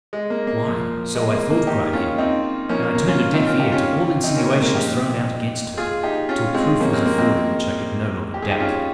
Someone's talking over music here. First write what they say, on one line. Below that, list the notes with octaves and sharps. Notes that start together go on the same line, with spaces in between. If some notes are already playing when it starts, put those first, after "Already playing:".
"Why, so I thought," cried Henry, "and I turned a deaf ear to all insinuations thrown out against her, till proof was afforded which I could no longer doubt."
G#3
A#3
A#3
A#2 F3
G#3
A#3
A#3
D#4 G4
C#4 F4
C4 D#4
A#2 F3 A#3 C#4
A#3
A#3
C#4 F4
C4 D#4
C#4 F4
D#4 G4
C#4 F4
C4 D#4
A#3 C#4
G#3 C4
A#3
A#2 F3 D#4 G4
F4 G#4
D#4 G4
C#4 F4
G#3 C4
C3 F3 A#3 C#4
G#3 C4
A#3
G#3 C4
G4
G#4
D#4 G4
C#4 F4